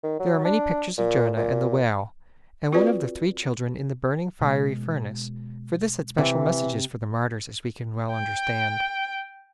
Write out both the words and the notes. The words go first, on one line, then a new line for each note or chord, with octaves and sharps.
There are many pictures of Jonah and the whale, and one of the three children in the burning fiery furnace, for this had special messages for the martyrs as we can well understand.
D#3
F#3
D4
A#2
A#2
C4 F4 F#4 G#4 B4 D5
B2 G#3
C3 E3
G5